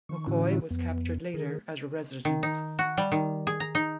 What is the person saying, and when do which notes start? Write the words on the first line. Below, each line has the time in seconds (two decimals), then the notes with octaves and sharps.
McCoy was captured later at a residence.
0.09 D#3 C#6
0.27 A2 D3 E3 C#4 E4 F#4
0.71 F2 B3
1.34 D#3 G#4 A#4
2.25 D#3
2.43 D#4
2.79 F#4
2.97 G3
3.12 D#3
3.47 G#4
3.60 A#5
3.75 D#4